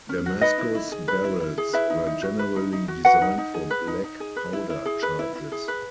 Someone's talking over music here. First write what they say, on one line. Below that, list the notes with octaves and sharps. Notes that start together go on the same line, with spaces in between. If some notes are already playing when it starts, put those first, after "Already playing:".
Damascus barrels were generally designed for black powder charges.
C#4
F#4
D#4 B4 D#5
E4
E4
G#4
B4
E4
E4
G#4
E4 B4 E5
D#4
D#4
F#4
B4
D#4
D#4
F#4
F#4 B4 F#5
D#4
D#4
G#4
B4
D#4
D#4
G#4
B4
E4
E4
G#4
B4
E4
E4
G#4
B4